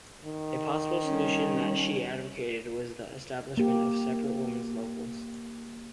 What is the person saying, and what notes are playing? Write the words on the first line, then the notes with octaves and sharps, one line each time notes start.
A possible solution that she advocated was the establishment of separate women's locals.
D#3
G3 C#4
A#3 G4